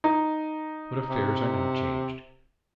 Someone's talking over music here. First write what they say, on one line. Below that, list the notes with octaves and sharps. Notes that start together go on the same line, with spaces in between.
But affairs are now changed.
D#4
C3